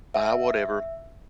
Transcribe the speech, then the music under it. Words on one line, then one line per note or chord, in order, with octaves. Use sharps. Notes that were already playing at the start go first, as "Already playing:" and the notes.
buy whatever."
E5